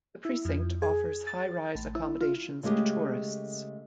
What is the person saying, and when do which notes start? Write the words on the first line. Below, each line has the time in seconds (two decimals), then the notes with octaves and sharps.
The precinct offers high rise accommodations to tourists.
0.25 E4
0.45 F2
0.82 G#4
1.27 A6
1.75 A1
1.95 E4
2.21 F4
2.63 C#3 G#3 A3 G4 G#4